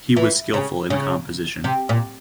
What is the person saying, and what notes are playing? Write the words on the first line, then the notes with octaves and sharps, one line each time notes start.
He was skillful in composition.
E3
C#3
C#3
C3
A#2